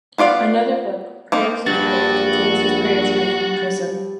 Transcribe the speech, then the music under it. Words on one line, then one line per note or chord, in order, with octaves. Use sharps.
Another book, "Prayers of Hope", contains his prayers written in prison.
B3 F4 D5 F5
A#3 C4 D#4
A#1 G2 F#4 A6